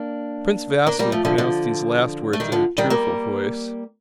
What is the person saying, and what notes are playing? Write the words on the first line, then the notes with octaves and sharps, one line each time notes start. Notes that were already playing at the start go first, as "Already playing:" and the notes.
Prince Vasili pronounced these last words in a tearful voice.
Already playing: A#3 D4
A#3 D4
G3 A#3
F3 A3
D3 F3
D3 F3
A3
D#3 G3
D3 F3
D#3 G3
G3 A#3